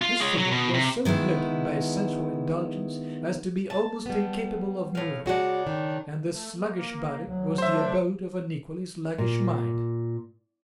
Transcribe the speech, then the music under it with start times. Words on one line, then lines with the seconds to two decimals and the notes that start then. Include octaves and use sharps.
His figure was so bloated by sensual indulgence as to be almost incapable of moving, and this sluggish body was the abode of an equally sluggish mind.
0.02 F4
0.20 G#3 C#5
0.38 F#3
0.51 B2
0.74 C3
1.05 D#3 G#3 B3 E4
3.70 A5
4.06 G3 B3
4.95 A2 F5
5.26 C#3 G#3 D4 F#4
5.67 D#3
6.22 A3
6.54 A#3
7.24 D2 F#3
7.58 A3 D4 C5 E5
9.18 A#2